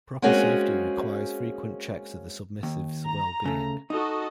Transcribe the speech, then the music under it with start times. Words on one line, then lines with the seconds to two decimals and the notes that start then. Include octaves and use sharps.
Proper safety requires frequent checks of the submissive's well-being.
0.22 G#3 A#3 C4 C#4 F#4 G#4
2.63 D#2
3.06 A#5
3.45 C#3 A3
3.90 D#4 F#4 A4 D#5